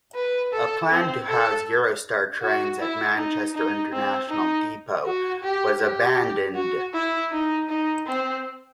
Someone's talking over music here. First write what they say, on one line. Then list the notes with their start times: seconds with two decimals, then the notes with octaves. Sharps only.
A plan to house Eurostar trains at Manchester International Depot was abandoned.
0.15 B4
0.52 A4
0.90 C4
1.28 A4
2.42 F#4
2.79 E4
3.17 D#4
3.54 D#4
3.93 C4
4.29 D#4
5.05 F#4
5.43 G4
5.80 G4
6.55 F#4
6.93 E4
7.32 D#4
7.70 D#4
8.07 C4